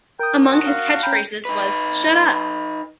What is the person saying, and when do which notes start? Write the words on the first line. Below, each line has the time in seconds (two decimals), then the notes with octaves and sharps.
Among his catchphrases was Shut Up!!
0.19 A#4 G5 D#6
0.43 F#4
0.67 F5
1.03 C#4 G5 A#5 B5
1.45 D#4 B4